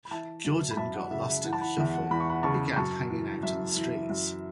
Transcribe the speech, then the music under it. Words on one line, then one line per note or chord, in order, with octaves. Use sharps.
Jordan got "lost in the shuffle"and began hanging out on the streets.
B5
E3 E5 A5
F#2
B5
F#2 E5 A5
F#5
C#3 E5
E5
E3 F#5
A5
F#5 B5
E2 E5
F#5
E2 B5
C#6
F#5 B5
C#3 A5 C#6
F#2 A5 C#6
E3
F#2 E5
E3
F#2